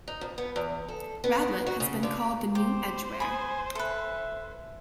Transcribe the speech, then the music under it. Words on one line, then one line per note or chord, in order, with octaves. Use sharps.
Radlett has been called the new Edgware.
D#4
F2
B3
E2
A4
B3
B3
F#4
C#3
D3
G4 C5
G#5 B5 D#6
A4 B4 E5